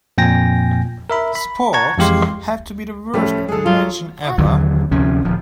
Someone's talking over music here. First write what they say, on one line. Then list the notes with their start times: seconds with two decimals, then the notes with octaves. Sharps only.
Sporks have to be the worst invention ever.
0.18 F2 A#2 G5 G#5 A#6
1.10 A#4 E5 B5
1.35 B5
1.73 F#5 A5 A#5 C#6 G#6
1.97 F2 E3 G#3 G4 F5 C6
3.14 A2 F3 G3 A3 C#4
3.48 D3 G#3 G#4 A4
3.66 F#3 F4
4.38 D#2 D3 E3 F#3
4.91 D2 C3 F3 C#4
5.25 D1 F3